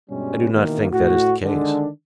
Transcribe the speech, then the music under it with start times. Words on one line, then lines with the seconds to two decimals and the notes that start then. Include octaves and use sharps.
"I do not think that is the case."
0.10 G2 B2 G3 G#3 C#4
0.53 B2 D#3 E3 A#3
0.92 A2 F#4
1.43 D3 D#3 G#3 D4